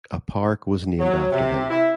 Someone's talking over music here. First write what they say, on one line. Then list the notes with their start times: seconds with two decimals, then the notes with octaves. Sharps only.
A park was named after him.
1.00 F#3
1.32 C3
1.70 E4